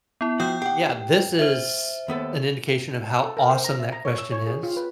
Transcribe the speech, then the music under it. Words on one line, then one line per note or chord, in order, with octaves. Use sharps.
yeah, this is an indication of how awesome that question is,
B3 E4
F3 F#4 G5 D#6 G6
G4 F#5 G5
C5 E5
D#2 B3 A4
A4
A#4
C5
A#5
E5
A#5
C#5
E6
C#5
G#4
F4
B4